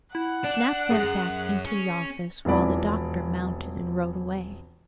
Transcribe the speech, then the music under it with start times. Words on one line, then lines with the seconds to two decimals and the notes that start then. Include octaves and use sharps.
Nap went back into the office while the doctor mounted and rode away.
0.15 E4 F#5
0.44 D4 D5
0.91 F#2 G#4
1.66 C#4
2.45 E1 F2 E3 D5 B5